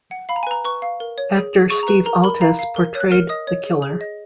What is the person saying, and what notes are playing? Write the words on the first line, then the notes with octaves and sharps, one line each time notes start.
Actor Steve Altes portrayed the killer.
F#5
F5 B5
A#5
G#5
B4 A#5
B4 C#6
F5
A#4
C#5
G#4
G#4
G#4 C#6
B4 A#5
A#4 A#5
A#4 B5
F5 A#5
F5
A#4
C#5
F#6
A#4 F6
D#5 D#6
C#5
G#4
G#4
D#5